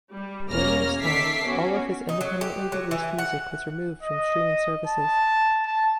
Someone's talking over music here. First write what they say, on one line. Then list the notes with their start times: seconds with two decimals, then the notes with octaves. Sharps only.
During this time all of his independently released music was removed from streaming services.
0.11 G3
0.49 E2 B2 A#3 C#4 F6 A#6
1.01 D#3 A4 E5 D6 B6 C7
1.42 B3 C#4 F#4
2.09 D#4
2.21 F#3
2.41 G4
2.72 F#3
2.91 E3
3.19 F#5
4.03 D#5
4.87 A5
5.65 A5